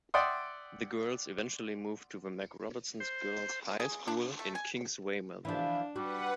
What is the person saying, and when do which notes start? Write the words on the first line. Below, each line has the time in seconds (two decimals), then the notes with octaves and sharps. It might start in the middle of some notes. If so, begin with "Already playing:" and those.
The girls eventually moved to the Mac.Robertson Girls' High School on Kings Way, Melbourne.
0.14 D5 E5 F#5 G5 C6 D#6
3.00 C5
3.80 G#4
4.07 D4
4.39 A3
4.55 G#5
5.45 E3 F3 D4 E4
5.96 G3 F#4 B4 F#5